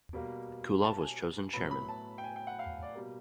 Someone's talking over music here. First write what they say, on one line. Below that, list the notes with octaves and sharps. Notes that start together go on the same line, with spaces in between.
Kulov was chosen Chairman.
B2 G3 A#3
A5
G#5
A2 F#3 B3 B5
B5
A5
G5
G#5
G5
F#5
F5
D5
B2 G3 A#3